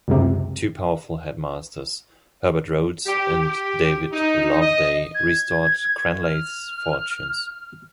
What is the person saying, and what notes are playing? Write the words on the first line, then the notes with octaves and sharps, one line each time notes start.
Two powerful headmasters - Herbert Rhodes and David Loveday restored Cranleigh's fortunes.
C#2 F#2 C3
G4
G4
D#4
D#5
G#6
F6